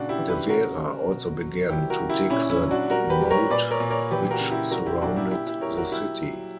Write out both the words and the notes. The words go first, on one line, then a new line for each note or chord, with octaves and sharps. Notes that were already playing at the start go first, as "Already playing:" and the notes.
De Vera also began to dig the moat which surrounded the city.
Already playing: A#2 C#3 D4 F#4
E4 G4
E3
G4 B4
C#3 F#4 A#4
G3
B2
F#3
G3 E4 G4
F#4 A#4
C#3
E4 G4
A#2 C#4 E4
C#4 E4
F#3
D4 F#4
G3 F#4 A#4
G4 B4
G3
A#4 C#5
A#2 B4 D5
A#4 C#5
A#2
A#4 C#5
E3 G4 B4
F#4 A#4
C#3
E4 G4
G3 F#4 A#4
E4 G4
A#2 D4 F#4
E4 G4
A#2 E4 G4
E4 G4
G3 A#4 C#5
F#4 A#4
F#3 E4 G4
F#3